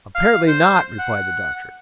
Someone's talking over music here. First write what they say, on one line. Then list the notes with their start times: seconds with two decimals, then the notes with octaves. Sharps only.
"Apparently not," replied the doctor.
0.15 F5
0.48 C5
0.99 F#5